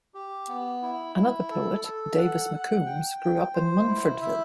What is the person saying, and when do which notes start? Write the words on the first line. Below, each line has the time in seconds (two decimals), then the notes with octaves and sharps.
Another poet, Davis McCombs, grew up in Munfordville.
0.14 G4
0.48 B3
0.82 E4
1.16 E4
1.50 A4
1.84 A4
2.18 F#5
2.52 F#5
2.86 G5
3.19 G5
3.54 C5
3.88 E4
4.22 E5